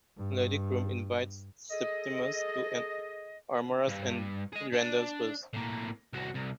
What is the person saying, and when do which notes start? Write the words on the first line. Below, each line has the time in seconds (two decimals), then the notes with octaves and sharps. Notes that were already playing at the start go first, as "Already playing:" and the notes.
Lady Croom invites Septimus to an amorous rendezvous.
0.17 G2
1.71 G#4 A4 D#5
3.88 G2
4.53 G#4 D#5
4.73 D4
5.53 A2 A#3
6.13 C2 F#4
6.34 C2